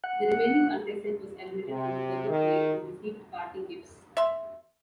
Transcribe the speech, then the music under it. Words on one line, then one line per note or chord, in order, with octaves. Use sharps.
The remaining contestant was eliminated from further play and received parting gifts.
F#5
C3
D#3
E5 C6